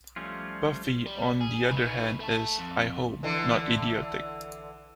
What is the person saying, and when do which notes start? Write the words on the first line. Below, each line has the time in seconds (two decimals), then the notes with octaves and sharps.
Buffy, on the other hand is, I hope, not idiotic.
0.16 F3 G3 A3 C#4 F4
1.06 G3
1.41 G#4
1.71 D#4 B4
2.20 A3 A4
2.59 F2
3.23 D3 E3